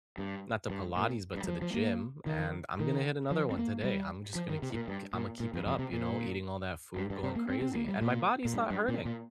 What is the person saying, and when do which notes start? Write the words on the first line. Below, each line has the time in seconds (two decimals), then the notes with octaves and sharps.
not to Pilates, but to the gym, and I'm gonna hit another one today. I'm just gonna keep, g Imma keep it up, you know, eating all that food, going crazy, and my body's not hurting.
0.18 G2
0.70 G2
0.97 A#2
1.35 G2
1.44 G3
1.48 F3
1.62 F3
1.74 A#3
2.26 D#3
2.80 D#3
3.31 F3
3.51 C4
3.58 A#3
3.84 G3
4.35 F3
4.49 D#3
4.62 C3
4.74 A#2
4.88 G2
5.14 A#2
5.40 A#2
5.53 F2
5.66 F2
5.79 C3
5.93 A#2
6.97 G2
7.10 G2
7.23 C3
7.36 A#3
7.50 C4
7.62 C4
7.76 A#3
7.89 G3
8.01 A#2
8.45 A#2
8.53 G2
8.70 G2
8.88 A#2
9.05 A#2